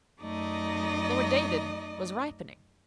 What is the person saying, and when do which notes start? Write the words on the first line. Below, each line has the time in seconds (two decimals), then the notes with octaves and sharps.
Lord David was ripening.
0.20 F#2 A3 D#4 D5 D#5 D#6